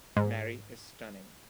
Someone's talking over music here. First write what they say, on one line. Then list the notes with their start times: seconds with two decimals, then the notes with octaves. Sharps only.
Mary is stunning.
0.17 G#2